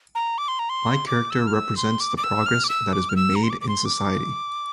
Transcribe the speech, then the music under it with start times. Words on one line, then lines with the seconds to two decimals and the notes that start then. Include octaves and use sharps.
My character represents the progress that has been made in society.
0.15 A#5
0.38 D6
0.48 C6
0.59 A#5
0.69 C6
1.07 D6
1.31 E6
1.47 F6
1.53 E6
1.77 C6
2.00 D6
2.17 D6
2.24 E6
2.46 F6
2.64 D6
2.69 E6
2.93 D6
3.09 F6
3.16 E6
3.36 A#5
3.43 C6
3.50 D6
3.61 D6
3.68 C6
3.85 D6